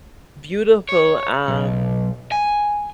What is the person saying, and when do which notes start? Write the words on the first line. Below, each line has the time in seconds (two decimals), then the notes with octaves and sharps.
beautiful, um,
0.89 C#5
1.48 B1
2.32 G#5